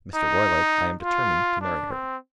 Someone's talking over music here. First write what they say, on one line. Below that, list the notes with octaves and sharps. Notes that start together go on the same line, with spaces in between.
Mr. Roylake, I am determined to marry her.
D#4
F4
D4
C4